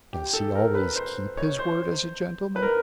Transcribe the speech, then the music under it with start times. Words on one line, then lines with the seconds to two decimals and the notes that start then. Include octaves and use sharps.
"Does he always keep his word as a gentleman?"
0.13 G4
0.33 A4
0.55 A#4
0.75 B4
0.96 C5
1.37 C#5
1.59 C5
2.56 B4
2.62 A#4